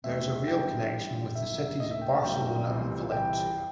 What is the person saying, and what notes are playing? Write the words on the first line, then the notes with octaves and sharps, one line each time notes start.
There is a rail connection with the cities of Barcelona and Valencia.
E2 D#3 A3 C4 E5
G1 G2 F#3 C4 G5
A1 G2 E3
G1 F#2 D#3 E5
D#2 D#3 A3 D#5
E5
G5
E5
A5
G1 F#2 D#3 F#3 A3 G5
C2 C3 E3 A3 C4
C2 C3 E3 G5